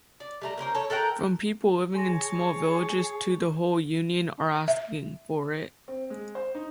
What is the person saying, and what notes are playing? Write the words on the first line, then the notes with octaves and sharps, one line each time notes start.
From people living in small villages to the whole Union are asking for it.
D5
G3 A3 A#5
A#3 C#4 A#4 C5
A4 C#5
A4 A#4 F#5 G5
G#4 C#5 G#5 A5 C6 A#6
E5
C4
G#3
C5
D#4